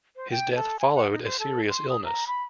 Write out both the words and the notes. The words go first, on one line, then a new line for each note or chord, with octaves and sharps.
His death followed a serious illness.
C5
G5
A4
G#5
F#5
D#4
C5
A4
C6
D#6
A#5
B5